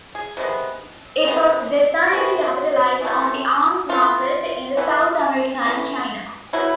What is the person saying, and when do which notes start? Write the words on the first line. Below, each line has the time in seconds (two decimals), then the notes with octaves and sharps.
It was designed to capitalize on the arms market in South America and China.
0.15 G#4
0.37 C3 D#3 G#3 B3
1.25 C3 D#3 G#3 B3
2.13 C3 D#3 G#3 B3 F#4
3.01 E3 A3
3.89 E3 A3 F4
4.77 E3 A3
5.65 E3 A3
6.53 C#3 F#3 B3 E4